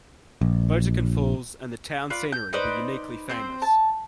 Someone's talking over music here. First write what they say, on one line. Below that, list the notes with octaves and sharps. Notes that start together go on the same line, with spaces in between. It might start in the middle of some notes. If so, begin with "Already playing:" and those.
Botocan Falls and the town's scenery were uniquely famous.
A#1
F4 B4 D5
G6
D#4 B4 C5 D5
C4 C5
A5